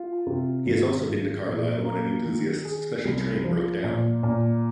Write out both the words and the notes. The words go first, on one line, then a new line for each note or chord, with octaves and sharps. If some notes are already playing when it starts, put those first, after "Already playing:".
He has also been to Carlisle when an enthusiasts' special train broke down.
Already playing: F4
C3
G#1
G#2
A#2
A#3
D#3
G#4
C2
F3
A#2
A#2